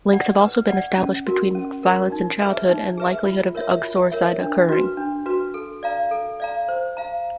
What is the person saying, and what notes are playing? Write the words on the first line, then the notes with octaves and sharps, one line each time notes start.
Links have also been established between violence in childhood and likelihood of uxoricide occurring.
D5 F#5
B4
D5 F#5
C#4
F#4 A#4
C#4
F#4 A#4
D#4
G#4 B4 E5
D#4
G#4 B4 E5
F4
A#4 C#5 E5
F4
A#4 C#5 E5
D4
F#4 B4
D4
F#4 B4
A4
D5 F5 A#5
A4
D5 F5 A#5
C5
F5 A#5